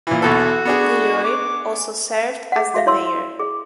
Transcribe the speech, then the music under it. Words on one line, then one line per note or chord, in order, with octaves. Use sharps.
Leroy also served as the Mayor.
A#2 E3
B1 E2 F#4 A4
B3 D4 G#4
D6
G#4 F#5
F#4 E5 F5
E4 C#5 C6 E6
G#4